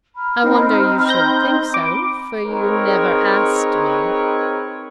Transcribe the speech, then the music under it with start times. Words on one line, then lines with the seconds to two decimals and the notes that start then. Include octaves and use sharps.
"I wonder you should think so, for you never asked me."
0.15 A#5 B5 F6
0.44 C4 D#4
1.09 G6 A#6
1.74 B5 D6
2.46 C4 D#4 G#4 A#4 B4 C#5